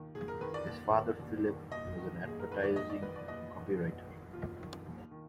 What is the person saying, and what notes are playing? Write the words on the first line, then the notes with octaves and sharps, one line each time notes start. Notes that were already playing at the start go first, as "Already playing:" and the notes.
His father, Philip, was an advertising copywriter.
Already playing: D#2 D#3
D#2 G#4
A#4
D#3 B4
D5
D#2
D#3
D#2
D#3
D#2 D#5
D#3
D#2 G#4
A#4
D#3 B4
D5
D#2 D#5
D5
D#3 B4
D5
D#2 D#5
D#3
D#2
D#3
D#2 F4
D#3
D#2
D#3